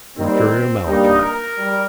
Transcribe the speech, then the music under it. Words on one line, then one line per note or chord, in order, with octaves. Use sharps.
Mercurial Malachi.
D#2 D#3 G3 C4
G2 G3 A#3 D#4
A#4
G3